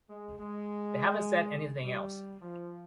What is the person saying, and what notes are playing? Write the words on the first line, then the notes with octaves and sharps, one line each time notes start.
They haven’t said anything else.
G#3
G#3
G3
F3